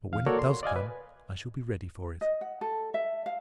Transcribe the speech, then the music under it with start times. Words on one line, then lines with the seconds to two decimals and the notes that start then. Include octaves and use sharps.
But when it does come I shall be ready for it.
0.13 E2 F5
0.26 A#3 F#4 A4 A#4 C#5 D5
0.39 C6
0.63 D5 D#5 F5 G#5
0.76 B4
2.21 D#5
2.41 F#5
2.61 A4
2.94 E5
3.26 F5